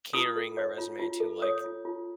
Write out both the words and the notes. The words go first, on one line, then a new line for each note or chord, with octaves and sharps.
catering my resume to, like,
F4 D#6
A4
C#5
F4
F4
A4
C#5 D#6
F4
F4